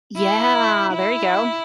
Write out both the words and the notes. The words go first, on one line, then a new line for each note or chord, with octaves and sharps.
Yeah, there you go.
E4
E4